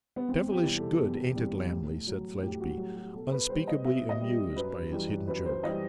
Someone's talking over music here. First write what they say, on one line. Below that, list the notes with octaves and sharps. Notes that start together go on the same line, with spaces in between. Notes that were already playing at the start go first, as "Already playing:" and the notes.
'Devilish good, ain't it, Lammle?' said Fledgeby, unspeakably amused by his hidden joke.
B3
E2 C4
G4
C3 E3 G3
A4
E2
C3 E3 G3
A2
F#3
A2 G4
F#4
F#3
F#4
B2 A4
B4
G3 C5
D#5
B2 E5
D#5
G3
F#2 B4
E3 G3
F#2 B4
C5
E3 G3 D#5